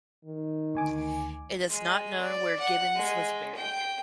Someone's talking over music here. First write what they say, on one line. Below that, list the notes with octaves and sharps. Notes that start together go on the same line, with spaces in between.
It is not known where Gibbons was buried.
D#3
D2 G#5 D6
G#3
D5
F#5
G#3
G5